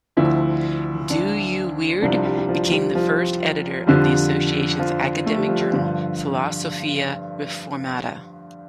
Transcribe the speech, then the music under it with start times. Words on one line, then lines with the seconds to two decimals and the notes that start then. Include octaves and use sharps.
Dooyeweerd became the first editor of the Association's academic journal "Philosophia Reformata".
0.17 D2 D3 F3 E4
1.10 D4
2.02 C2 C3 F3 D4
2.25 G3
2.38 G3
2.48 F3
2.71 G3
2.95 F3
3.87 F2 D3 F3 G3
4.79 F3
5.26 A3
5.37 G3
5.48 F3
5.59 G3
5.72 G2 D3 F3